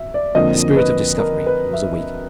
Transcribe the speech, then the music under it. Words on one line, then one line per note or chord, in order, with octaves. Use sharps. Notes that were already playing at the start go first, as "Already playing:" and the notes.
The spirit of discovery was awakened.
Already playing: E5
D5
F2 D3 F3 A#3 D#5
B4
A#4
B4
E5